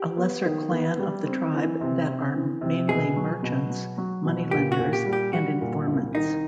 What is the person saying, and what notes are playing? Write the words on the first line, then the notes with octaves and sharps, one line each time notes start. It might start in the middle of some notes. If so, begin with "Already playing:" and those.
A lesser clan of the Tribe that are mainly merchants, money lenders and informants.
Already playing: G4
B3
D#3
B3
G3
C4
E3
C3
C4
E3
C3
B2 G#4
F#3
B2
F#3
F#3
B2
A#2 G4
F#4
A#2
G4
G3
G4
G3 F#4
A#2
C2
D#3 D#4